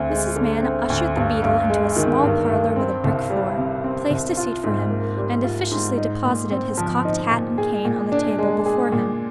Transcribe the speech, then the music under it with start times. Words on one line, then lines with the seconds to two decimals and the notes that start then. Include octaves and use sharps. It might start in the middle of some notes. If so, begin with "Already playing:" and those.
Mrs. Mann ushered the beadle into a small parlour with a brick floor; placed a seat for him; and officiously deposited his cocked hat and cane on the table before him.
Already playing: D2 C4
0.10 G#3
0.36 D3
0.62 C4
0.90 D2
1.16 G2
1.43 G2
1.70 G#3
1.96 D#3
2.23 G2
2.50 G2
2.76 C4
3.04 C2
3.30 G3
3.57 C3
3.84 C4
4.10 C2
4.37 F4
4.64 G#2
4.90 A#3
5.17 G3
5.44 F4
5.71 G#2
5.98 D#4
6.25 A#2
6.51 C4
6.77 F3
7.05 D#4
7.31 A#2
7.58 G#4
7.85 A#2
8.12 D4
8.39 G#3
8.66 G#4
8.92 A#2